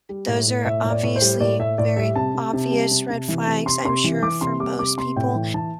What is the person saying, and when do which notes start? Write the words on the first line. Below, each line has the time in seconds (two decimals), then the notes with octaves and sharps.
those are obviously very obvious red flags, I'm sure, for most people.
0.09 G3
0.28 A2
0.47 A2
0.65 A2 E5
0.84 A2
0.90 D5
1.03 A2
1.16 C5
1.21 G3
1.40 A2 D5
1.59 A2 E5
1.78 A2 D5
1.96 G3 E5
2.16 C3 A5
2.34 C3
2.53 C3
2.72 G3
2.91 C3
3.10 C3
3.28 E3
3.47 C3
3.66 C3 C6
3.85 C3 C6
4.04 E3
4.23 E3 D6
4.41 C3 C6
4.60 G3 D6
4.79 C3 D6
4.97 C3 C6
5.16 A2 G5
5.35 E3
5.54 E3 A5